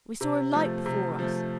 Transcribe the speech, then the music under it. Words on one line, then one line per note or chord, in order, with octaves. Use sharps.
We saw a light before us.
C3
F3 A3
C3
F3 A3